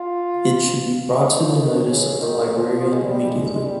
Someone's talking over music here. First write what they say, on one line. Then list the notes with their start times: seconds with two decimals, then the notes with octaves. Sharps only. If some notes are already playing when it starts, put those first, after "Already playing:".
It should be brought to the notice of the Librarian immediately.
Already playing: F4
1.14 D#4
1.38 F3
1.61 D#3
1.85 C#3
2.20 D#3
2.56 F3
2.80 F3
2.93 G#3
3.05 G3
3.18 G3
3.29 G#3
3.55 G#3
3.64 G3